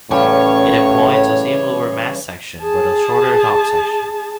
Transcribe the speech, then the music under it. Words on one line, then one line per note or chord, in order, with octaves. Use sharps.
It employed the same lower mast section, but a shorter top section.
A2 C#3 E3 G3 C#5
G#4 A5